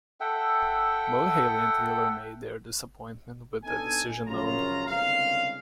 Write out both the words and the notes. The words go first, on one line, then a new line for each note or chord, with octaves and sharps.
Both Healy and Taylor made their disappointment with the decision known.
A4 E5 F#5 G5
B3 D4 D#4 A4 G#5
A#1 F#2 C#3 F4 A#5
G1 C2 C#3 G#3 F5